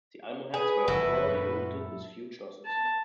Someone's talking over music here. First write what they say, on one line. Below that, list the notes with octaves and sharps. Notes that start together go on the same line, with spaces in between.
The Almohads were thoroughly routed, with huge losses.
G#4 B4
F#1 G2 F3 E4 F#4 A4
F#2 A#2
A5